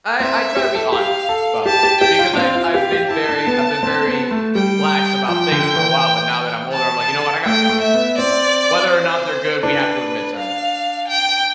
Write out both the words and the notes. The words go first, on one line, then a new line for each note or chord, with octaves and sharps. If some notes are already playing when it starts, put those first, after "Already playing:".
I I try to be honest about things because I've I've been very I've been very lax about things for a while, but now that I'm older, I'm like, "You know what, I gotta be honest about things." Whether or not they're good, we have to admit certain things.
C4 E5
G4
A4
G4 F5
A4
G4 A5
G4
G4 G5
F4
D4
C4 F5
F4
G4 F5
G4
E4 A5
D4
B3
C4
B3
A3
G3 G5
F3 G5
D3
E3
A5
A3 G5
A3
E5
B3
C4 D5
C5
D4 B4
F5
G5